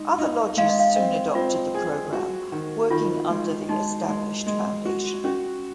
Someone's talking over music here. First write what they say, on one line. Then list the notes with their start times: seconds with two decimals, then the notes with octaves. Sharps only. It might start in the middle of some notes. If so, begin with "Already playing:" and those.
Other lodges soon adopted the program, working under the established foundation.
Already playing: G#3 D#4
0.19 D#4
0.57 G#3 F5
0.69 D#5
0.80 F5
0.96 C4 D#5
1.35 C4 F4
1.74 G#4
2.13 F#4
2.52 D#3
2.90 D#3 F4
3.30 G#3
3.69 G#3 D#4
4.08 G#3
4.47 G#3
4.85 F#4
5.24 C#4 F#4